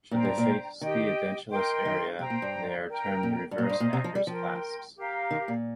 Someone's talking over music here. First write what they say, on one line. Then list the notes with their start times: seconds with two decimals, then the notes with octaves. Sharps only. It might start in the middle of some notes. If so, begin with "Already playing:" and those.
Should they face the edentulous area, they are termed reverse Akers' clasps.
0.11 A#2 C5 G5 A#5
0.25 G2
0.38 A#2
0.81 D#3 G4 D#5 G5
1.50 A#4 D#5 G5 C6
1.85 D#3
2.19 C3 C5 G5 A#5
2.30 A#2
2.42 G2
2.88 A#4 G5 A#5
3.23 A#2
3.51 G2
3.58 A#2 C5 D#5 A#5
3.70 G2
3.80 A#2
3.93 C3
4.04 F3
4.15 G3
4.27 F3 A#4 G5 C6
4.96 G4 A#4 F5 A#5
5.31 D#3
5.48 A#2